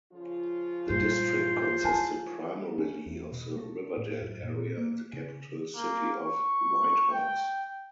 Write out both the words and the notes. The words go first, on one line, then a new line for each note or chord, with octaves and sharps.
The district consisted primarily of the Riverdale area in the capital city of Whitehorse.
C#3 F3 F4
G2 A#2 C5
E4 A#4 G#5 A5
C#4
E2
B2
A3
A2
F#2
A#2
A#3
C#3
A#3
C#6
G5